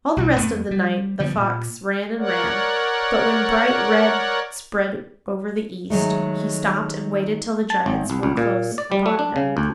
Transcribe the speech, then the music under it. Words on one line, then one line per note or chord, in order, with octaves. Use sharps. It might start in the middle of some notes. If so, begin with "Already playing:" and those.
All the rest of the night the fox ran and ran; but when bright red spread over the east, he stopped and waited till the giants were close upon him.
B1 B2 G3
F2 A3 B3
G3
D3 F3 G3 B3
A#2
A#4 C#5 D5 F#5
D#3 F#3 G#3 A3
A5
G#1
C2
C#2
A#2
D5
G3
A3
D4
C#3
D2